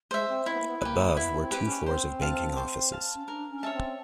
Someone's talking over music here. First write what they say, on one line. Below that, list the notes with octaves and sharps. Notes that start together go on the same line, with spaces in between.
Above were two floors of banking offices.
G#3 C5 E5
C4
C4 E4
B3
A#3
B3
A#3 G4 B4
B3 E4
C4
G4 B4
C#4
C4 C5
F5 A5
C5
F5 A5
C#4
D4 A#4
C#4
C#5 E5 A5
C4